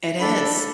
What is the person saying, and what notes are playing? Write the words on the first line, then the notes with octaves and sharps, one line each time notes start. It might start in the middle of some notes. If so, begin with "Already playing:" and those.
It is.
D4 A4 B5